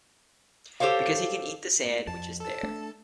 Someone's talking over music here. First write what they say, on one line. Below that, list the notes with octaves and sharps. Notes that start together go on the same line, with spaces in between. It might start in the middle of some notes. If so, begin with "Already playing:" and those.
Because he can eat the sand which is there.
G4 A4 C5 C#5 F5
F2 A5
A4 A5
A3 D4